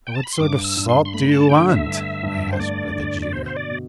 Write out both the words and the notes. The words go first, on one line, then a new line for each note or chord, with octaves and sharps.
"What sort of salt do you want?" I asked with a jeer.
G5
A5
B5
C6
G2 D6
E6
G2
C6
C6
A3 B5
A5
D3 G5
E5
G2
G2
C5
A3 D5
D3
D5
B2 C5
C5
D5
B2